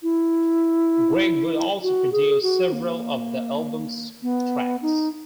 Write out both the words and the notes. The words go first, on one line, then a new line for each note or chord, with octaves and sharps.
Gregg would also produce several of the album's tracks.
E4
F#4
G#4
F#4
A#3
B3
D#4